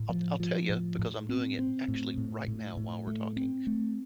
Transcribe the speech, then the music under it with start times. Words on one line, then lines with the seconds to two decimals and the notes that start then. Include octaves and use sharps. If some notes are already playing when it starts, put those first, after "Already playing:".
I'll I'll tell ya, because I'm doing it, actually right now while we're talking,
Already playing: A2
0.09 F3
0.40 F3
0.69 A2
0.99 A2
1.29 C4
1.59 C4
1.88 A2
2.17 A2
2.48 A2
2.77 A2
3.07 A3
3.37 C4
3.67 A3